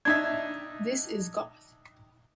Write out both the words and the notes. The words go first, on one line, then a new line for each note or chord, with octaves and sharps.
This Is Goth!
D4 D#4 E5 G#6